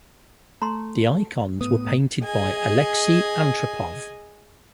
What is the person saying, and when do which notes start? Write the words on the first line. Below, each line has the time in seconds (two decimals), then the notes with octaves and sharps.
The icons were painted by Aleksey Antropov.
0.62 A3 A#5 C6
1.61 A2 B3 D#6
2.24 G#4 D#5 G#5